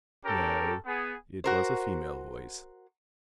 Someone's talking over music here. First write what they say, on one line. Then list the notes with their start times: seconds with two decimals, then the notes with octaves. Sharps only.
No, it was a female voice.
0.25 C#4 G4 A4 A#4
0.86 B3 G#4
1.44 F#4 A#4 C5